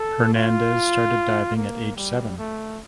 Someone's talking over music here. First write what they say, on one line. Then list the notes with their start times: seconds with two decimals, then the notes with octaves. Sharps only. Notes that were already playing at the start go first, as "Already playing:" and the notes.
Hernandez started diving at age seven.
Already playing: A4
0.34 F4
1.57 A#3
1.97 G3
2.38 A3